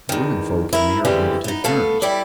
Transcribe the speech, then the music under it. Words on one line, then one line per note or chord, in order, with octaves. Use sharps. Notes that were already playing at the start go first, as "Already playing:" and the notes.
The women folks and me are going to take turns.
E2 D#3
E4 A#4
F2 D3 E3 G3 G#3
B3 D#4
A3 B3 A4 F5
G3 E4 D5